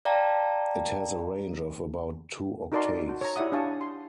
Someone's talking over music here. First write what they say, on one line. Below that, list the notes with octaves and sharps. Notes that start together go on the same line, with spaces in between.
It has a range of about two octaves.
D5 F5 G5 A5 A#5
D#4 F#4 A#4 D5 A5 C6
F#4
C#5 A#5
E4 G4 D5 E5 F#5 D#6
D4 G4 F5 G#5 A5 C#6
C6